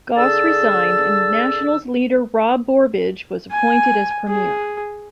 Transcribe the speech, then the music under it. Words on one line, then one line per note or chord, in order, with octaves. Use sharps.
Goss resigned, and Nationals leader Rob Borbidge was appointed as Premier.
D3 G#4 A5 E6
G#5
G#4